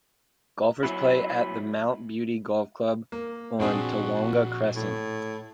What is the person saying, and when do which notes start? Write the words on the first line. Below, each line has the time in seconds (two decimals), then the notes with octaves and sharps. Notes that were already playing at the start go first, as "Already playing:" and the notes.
Golfers play at the Mount Beauty Golf Club on Tawonga Crescent.
0.83 F#3 B3 E4
3.12 A#3
3.60 A#2 F3 C4 D4 F#4 G#4
4.75 A2